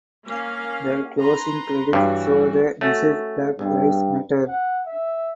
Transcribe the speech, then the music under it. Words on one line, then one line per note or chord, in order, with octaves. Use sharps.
The closing credits show the message Black Lives Matter.
A#3 C#4 F5
B4 A#5 C6
G2 E3 G3 F#4 C#5
A3 C#4 F#4
B1 G2
F#5
E5